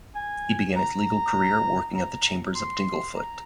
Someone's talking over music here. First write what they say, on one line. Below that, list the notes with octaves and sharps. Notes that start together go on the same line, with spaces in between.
He began his legal career working at the chambers of Dingle Foot.
G#5
A#5
A#5
C6
A#5